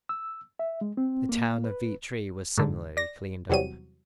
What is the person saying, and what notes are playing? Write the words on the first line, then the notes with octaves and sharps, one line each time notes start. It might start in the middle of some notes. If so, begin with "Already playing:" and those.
The town of Vietri was similarly cleaned up.
E6
E5
G#3
C4
A#3
B4
G#2 D3
D5 A#6
E2 C3 F#3 G3 D#7